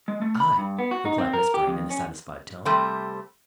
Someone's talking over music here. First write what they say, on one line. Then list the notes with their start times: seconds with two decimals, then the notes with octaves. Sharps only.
"I!" replied Miss Vrain in a satisfied tone.
0.08 G#3
0.22 A3
0.40 B5
0.58 G2
0.79 B3
0.91 F#4
1.05 D#4
1.18 C4
1.33 A#4
1.54 G4
1.67 F2
1.90 C#4
2.65 C3 G3 A3 C4